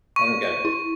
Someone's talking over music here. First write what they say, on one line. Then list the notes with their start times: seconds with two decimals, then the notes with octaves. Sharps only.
I don't get it.
0.16 C#6
0.65 E4